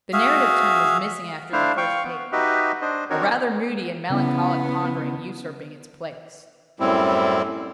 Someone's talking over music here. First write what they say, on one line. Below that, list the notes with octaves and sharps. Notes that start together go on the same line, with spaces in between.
The narrative tone is missing after the first page, a rather moody and melancholic pondering usurping its place.
F#4 G#4 E5 F5
A3 D4 E4 C5 F5
F5 G5 C#6
B3
D#4 F#4 G4 B4 D#5 E5
D4 C5 D#5
C4 D4 D#4 F#4 A#4 C#5
C#3 B3 C#4 E4
F#2 A2 G3 C4 E4